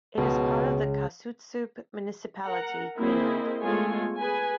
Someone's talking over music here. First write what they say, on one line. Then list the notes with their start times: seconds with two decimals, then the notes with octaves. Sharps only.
It is part of the Qaasuitsup municipality, Greenland.
0.17 C#2 B2
2.45 A#4 F#5 A#5
2.98 A#3 C4 E4 G#4 C5 D#5
3.61 G#3 A3 B3 F4 C#5 G#5
4.18 G#4 B4 G#5